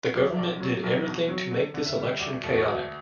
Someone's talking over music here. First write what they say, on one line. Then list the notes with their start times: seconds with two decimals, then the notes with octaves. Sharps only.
The government did everything to make this election chaotic.
0.15 F#3 D5
0.25 E5
0.36 B1 D5
0.60 F#3
0.84 B1
1.06 B2
1.29 F#3
1.51 D3
1.74 D3
1.86 E5
1.98 G3
2.19 D2 D5
2.43 E1
2.54 F#4
2.66 D2